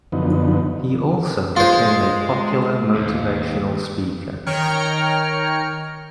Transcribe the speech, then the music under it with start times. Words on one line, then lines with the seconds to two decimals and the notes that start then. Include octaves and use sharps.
He also became a popular motivational speaker.
0.12 F#2 D3 F3 B3 D#4
1.56 G#3 F4 C5
2.95 D#2
4.46 D#3 C#5 G5 A#5 F6 C#7